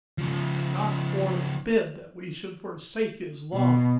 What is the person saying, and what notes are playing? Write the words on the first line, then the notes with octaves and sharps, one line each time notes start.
God forbid that we should forsake His Law.'
C#3 F3
B2